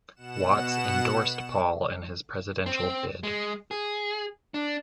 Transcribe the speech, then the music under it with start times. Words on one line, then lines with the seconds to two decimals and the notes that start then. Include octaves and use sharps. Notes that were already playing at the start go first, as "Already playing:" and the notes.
Watts endorsed Paul in his presidential bid.
0.15 B2 F#5 E7
2.66 C4
3.23 G#3
3.71 G#4
4.54 D4